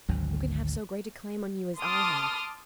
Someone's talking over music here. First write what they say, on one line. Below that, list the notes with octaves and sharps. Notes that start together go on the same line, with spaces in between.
Who can have so great a claim on you as I have?
G#1 D2 D3 F#3
A5 C6 D6 D#6 F6